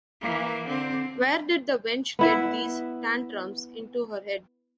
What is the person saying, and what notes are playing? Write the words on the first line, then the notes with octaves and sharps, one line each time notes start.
Where did the wench get these tantrums into her head?
E3 A#3
D3 C4
B3 E4 E5